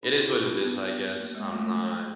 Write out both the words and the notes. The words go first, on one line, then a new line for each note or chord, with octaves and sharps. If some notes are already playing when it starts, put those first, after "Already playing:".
it is what it is, I guess, I'm not
D4
D#4
E4
D#4 F4
C4 D4
B3
A#3
G#3
A3